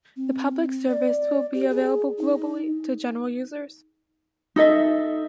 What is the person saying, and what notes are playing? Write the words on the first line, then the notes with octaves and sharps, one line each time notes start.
The public service will be available globally to general users.
C4
D5
G4
G#4
D#4
D#4 A4 D#5 E5